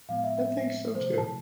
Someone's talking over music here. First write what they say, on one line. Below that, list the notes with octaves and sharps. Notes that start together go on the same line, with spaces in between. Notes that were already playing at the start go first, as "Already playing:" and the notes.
I think so too.
A2 F3 G#3 B3 F5
E5
E5
C3 F3 A3 C5
C5
A5